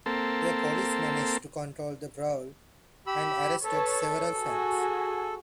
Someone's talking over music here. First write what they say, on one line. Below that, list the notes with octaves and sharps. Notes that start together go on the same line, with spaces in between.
The police managed to control the brawl and arrested several fans.
A#3 C4 A4
G4 B5 E6
A4 B4 C#5 A5
F#4 G#4